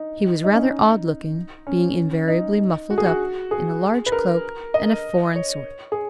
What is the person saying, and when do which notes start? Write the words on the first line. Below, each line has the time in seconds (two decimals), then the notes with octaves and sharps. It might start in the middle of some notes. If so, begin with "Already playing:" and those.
He was rather odd looking, being invariably muffled up in a large cloak and a foreign sort of hat.
Already playing: D#4
0.44 D#4
0.53 C#4
0.63 D#4
1.67 C#4
2.28 D#4
2.90 F#4
2.98 G#4
3.06 F#4
3.51 G#4
4.06 B4
4.12 A#4
4.74 D#5
5.36 C#5
5.92 G#4